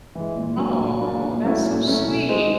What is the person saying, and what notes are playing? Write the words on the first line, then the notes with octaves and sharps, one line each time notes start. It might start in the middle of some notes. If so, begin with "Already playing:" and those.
Oh, that's so sweet!
E3 G#3
A#2
F#3 A#3 D4
A#2
F#3 A#3 D4
A#2
F#3 A3 C#4 E4
A#2
F#3 A3 C#4 E4
B2
G#3 C4 D#4